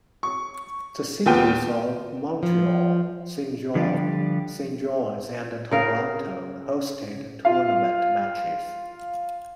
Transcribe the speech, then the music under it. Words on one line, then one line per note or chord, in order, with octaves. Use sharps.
The cities of Montreal, Saint John, Saint John's, and Toronto hosted tournament matches.
C#6
D#2 B3 F4 G5 D#7
F3
D3 F3 G3 D4 F4 G4
C#3 A#4 F5
F4 F5